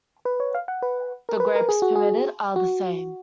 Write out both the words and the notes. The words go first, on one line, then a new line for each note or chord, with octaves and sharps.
The grapes permitted are the same.
B4
C#5
F5
F#5
B4
A#4
B4
A#4
G#4
F#4
G#4
F#4